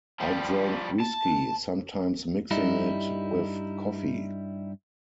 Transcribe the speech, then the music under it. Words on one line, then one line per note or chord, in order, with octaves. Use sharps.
I drank whiskey, sometimes mixing it with coffee.
F3 G3
A5
G2 G3 D#4 E4